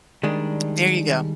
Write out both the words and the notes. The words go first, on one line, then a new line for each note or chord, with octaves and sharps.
There you go.
D#3 G3 G#3 D4